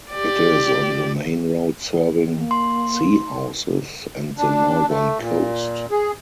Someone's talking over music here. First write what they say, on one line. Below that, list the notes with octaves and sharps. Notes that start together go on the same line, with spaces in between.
It is on the main road serving Seahouses and the northern coast.
G4 D5
A#3
C6
D4
A3
A#2
G#4